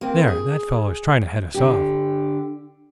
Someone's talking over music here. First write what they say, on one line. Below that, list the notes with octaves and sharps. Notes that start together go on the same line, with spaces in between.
"There, that fellow is trying to head us off."
A#3 C4
G#4
D3 G4